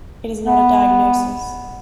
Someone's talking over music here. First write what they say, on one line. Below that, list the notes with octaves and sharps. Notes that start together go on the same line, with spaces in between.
It is not a diagnosis.
B3